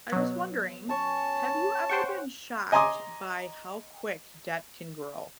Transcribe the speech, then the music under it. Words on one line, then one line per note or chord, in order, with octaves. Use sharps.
I was wondering, have you ever been shocked by how quick debt can grow?
B2 F#3
C#4 C#5 G#5 A5
C5 F#5 G5 C#6
D#5 G#5 A#5 C6 D6 D#6